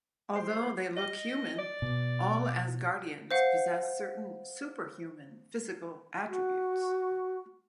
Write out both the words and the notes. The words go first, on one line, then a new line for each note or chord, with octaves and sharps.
Although they look human, all Asgardians possess certain superhuman physical attributes.
C5
D#5
D5
B2
C5 F5 F#5
F#4